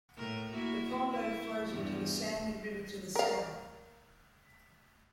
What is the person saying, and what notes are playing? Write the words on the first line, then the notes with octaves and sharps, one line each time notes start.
The pond overflows into the Sandy River to the south.
A2 A#4
A#3 E4 F#4
E4
E2 G2
A#4 F5